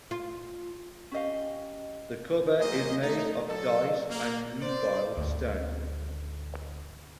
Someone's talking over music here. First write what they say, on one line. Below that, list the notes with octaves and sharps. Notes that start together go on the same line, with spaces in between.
The cover is made of dice and nubile stone.
F4
C#4 G4 D#5 F5
F#3 A#3 G#4 C5 D#5
A3 D#4
F#3 A4
A#3
C5 D5
D2 G#2